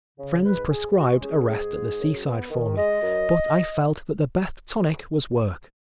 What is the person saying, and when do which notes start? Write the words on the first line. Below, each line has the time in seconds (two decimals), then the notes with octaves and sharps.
Friends prescribed a rest at the seaside for me, but I felt that the best tonic was work.
0.18 C#3
0.45 G#2 B4
0.69 G#2 G#4
0.95 G#3 F#4
1.21 C#4 G#4
1.47 G#2
1.74 G#2
1.99 F#2
2.25 B3
2.50 D#3
2.77 G#3 D#5
3.02 F#2